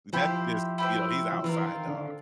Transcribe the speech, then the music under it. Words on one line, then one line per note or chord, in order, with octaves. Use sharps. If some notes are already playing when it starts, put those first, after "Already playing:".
That's just you know, he's outside dog.
F3 E4 G4 C5
E4 G4 C5
F3
E3 C4 F4 A#4
D#3
D3